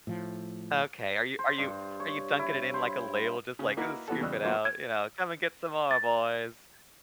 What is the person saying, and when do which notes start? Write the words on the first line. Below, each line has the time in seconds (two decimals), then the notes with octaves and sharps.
Okay. Are you are you are you dunking it in like a ladel just, like, "Ooh, scoop it out?" You know, "Come and get some more, boys."
0.07 A2 F3
1.39 C5
1.58 G2
2.00 C#5
2.39 E4
2.74 C5
3.59 C#3
3.77 A#3 D#4 E4 F#4 A#4 B4
4.08 E3 B3 F#4 A4
4.21 E2 C#3 G3 D#5 E6 F#6
4.43 F#3 A#3 B3 F4 C5
4.65 G#6
5.91 A6